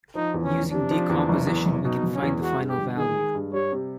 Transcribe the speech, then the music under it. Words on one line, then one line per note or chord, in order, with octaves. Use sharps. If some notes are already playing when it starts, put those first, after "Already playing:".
Using decomposition we can find the final value.
F3 D#4
E2
C#4
F1
C3 D4
F3
E2
F#1
E2
F#1
B2 D#4
F#1
C#4
E2
G#3 F#4
G2
G4
G1
D#3 G#4
G#3
G2
G3 C#5
C3